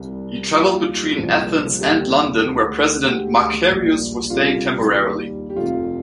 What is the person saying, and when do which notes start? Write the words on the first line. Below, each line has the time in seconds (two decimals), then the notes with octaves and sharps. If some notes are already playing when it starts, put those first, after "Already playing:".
He travelled between Athens and London where President Makarios was staying temporarily.
Already playing: C2 C3 G3
0.53 D#2 D#3 G3 F4
1.16 C2 A#2 F3 G#3
1.79 D#2 D3 G3 G4
2.43 D2 D3 G#3
3.04 D2 D3 G#3 G4
3.67 A#1 A#2 G3
4.30 C2 C3 G3 F4
4.93 D#2 D#3 G3
5.50 G4
5.56 F1 F2 C3 F4